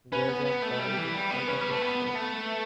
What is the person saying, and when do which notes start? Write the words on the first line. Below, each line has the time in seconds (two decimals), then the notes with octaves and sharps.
"Grey jumper" is an alternate name.
0.12 C#4 B4
0.28 B3
0.45 B3
0.62 A3
0.79 G3
0.97 E3
1.14 G3
1.30 B3
1.47 C#4 B4
1.61 G3
1.71 A3
1.82 B3
2.06 B3
2.15 A3